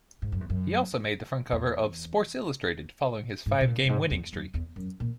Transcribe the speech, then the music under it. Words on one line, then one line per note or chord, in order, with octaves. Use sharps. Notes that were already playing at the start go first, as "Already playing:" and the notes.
He also made the front cover of "Sports Illustrated" following his five-game winning streak.
G#2
F#2
E2
F#2
E2
G#2
B2
A#2
F#2
G#2
E2
F#2
E2
F#2
A#2